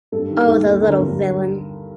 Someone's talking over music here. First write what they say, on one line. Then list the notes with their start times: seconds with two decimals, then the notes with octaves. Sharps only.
Oh, the little villain!
0.12 G2 A4
0.30 D#3
0.47 D#2 A4
0.65 D#2
0.82 D3 A#4
1.00 G2